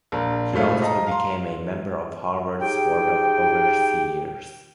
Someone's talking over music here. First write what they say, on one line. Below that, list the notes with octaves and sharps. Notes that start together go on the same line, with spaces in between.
He also became a member of Harvard's Board of Overseers.
A#1 A#4
F1 G#2 F3 A3 F5
D#5 F5 A5 A#5
F5 A#5 C6
D#4 G4 G#4 G5